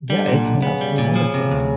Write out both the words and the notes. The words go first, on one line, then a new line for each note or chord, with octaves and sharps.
Yeah, it's been absolutely wonderful.
D3 G3
A#2
B1
C#3 B3
G3
A#2
F3
C3
D2